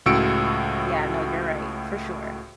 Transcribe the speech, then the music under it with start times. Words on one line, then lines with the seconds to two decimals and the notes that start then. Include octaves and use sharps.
Yeah, no, you're right, for sure.
0.06 C#2 A2 F#4 E6 C#7 D7